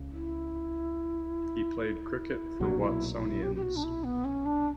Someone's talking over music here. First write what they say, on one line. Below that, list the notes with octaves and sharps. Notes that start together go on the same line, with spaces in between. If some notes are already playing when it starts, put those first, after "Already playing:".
He played cricket for Watsonians.
Already playing: C#2 C#3
E4
B1 A#2 F#3 F#4
E4
E4
G4
G4
F#4
D4
E4
B3
C#4
D4